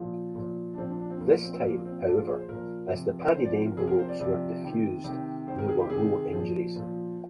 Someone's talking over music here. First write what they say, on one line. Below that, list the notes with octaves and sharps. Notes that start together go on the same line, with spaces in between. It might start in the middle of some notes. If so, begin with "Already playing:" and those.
This time, however, as the padded envelopes were defused, there were no injuries.
Already playing: A#2 F3
A#2 F3
D4
A#2 F3 C4
D4
D4
C4
A#2 F3 A#3
A#3
C4
C4
A#2 F3 A#3
C4
A#2 F3 D4
F4
G#4
C5
A#2 F3 A#4
C3 F3
C3 F3 C5
D5
C5
A#4
C3 F3 G#4
A#4
C5
D5
C3 F3 D5
C3 D#3
C3 D#3
C3 D#3 C5
A#4
G#4
G4
C3 G#4
D#3
A#2 F3
A#2 F3